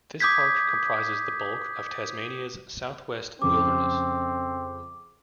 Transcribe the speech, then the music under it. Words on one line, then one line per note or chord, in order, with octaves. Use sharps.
This park comprises the bulk of Tasmania's South West Wilderness.
D6 D#6 G6 G#6 B6
F2 C#3 C4 D6